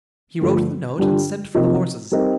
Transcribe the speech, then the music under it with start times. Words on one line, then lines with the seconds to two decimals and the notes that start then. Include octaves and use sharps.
He wrote the note, and sent for the horses.
0.41 G2 D3 F3 A3
0.98 G2 D3 G3 D4 F4
1.54 C3 F3 A#3 D#4 G4
2.11 G3 C4 D#4 A#4